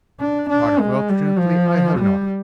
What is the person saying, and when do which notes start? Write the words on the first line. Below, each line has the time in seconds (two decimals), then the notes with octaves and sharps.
"Unfortunately, I have not."
0.20 D4
0.50 D4
0.80 G#3
1.09 G3
1.39 F3
1.99 G3